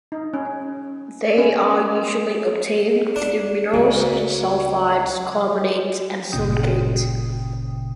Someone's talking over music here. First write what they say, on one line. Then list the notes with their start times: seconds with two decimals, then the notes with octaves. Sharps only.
They are usually obtained through minerals such as sulfides, carbonates, and silicates.
0.12 D#4
0.34 C#4
1.38 C#4
3.16 D4
3.73 C#2 C#3 F#4 D5 E5 G#5 A#5
4.30 C#5
6.32 G1 A#2 C#3 G5 D#6